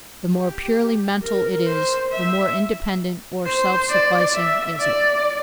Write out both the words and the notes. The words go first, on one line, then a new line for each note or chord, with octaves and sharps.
The more purely mental it is, the more independent or self-sufficing is it.
G4
A#4
C5
E5
C5
D5
E5
D5